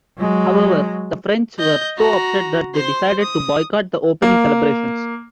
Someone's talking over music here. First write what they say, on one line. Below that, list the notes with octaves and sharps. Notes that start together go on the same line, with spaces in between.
However, the French were so upset that they decided to boycott the opening celebrations.
F#3 G#3
D#5 G6
F#4 A#5
C5 C6
D#6
A#3